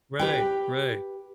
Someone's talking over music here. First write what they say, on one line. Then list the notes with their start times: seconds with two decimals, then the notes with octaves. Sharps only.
Right. Right.
0.19 G4 B4 G5